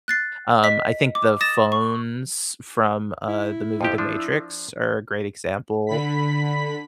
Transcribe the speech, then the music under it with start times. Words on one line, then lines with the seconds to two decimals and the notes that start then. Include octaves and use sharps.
um, I think the phones from, uh, the movie The Matrix are a great example.
0.08 F#6 A6 C7
0.63 D#5 B6
1.15 D6
1.41 D#6 A6 A#6 E7
1.72 C#6
3.28 E4
3.81 F2 F3 G4
3.98 F3 D4
5.87 D3 B5 B6